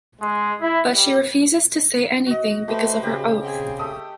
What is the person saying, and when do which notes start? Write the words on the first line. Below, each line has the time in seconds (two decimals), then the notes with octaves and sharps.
But she refuses to say anything because of her oath.
0.21 G#3
0.62 E4
0.92 G3
2.26 F#4 D#5
2.68 A3 F#4 B4 C5
3.03 C#3 G4
3.41 C4 G#4
3.79 A3 G4 D#6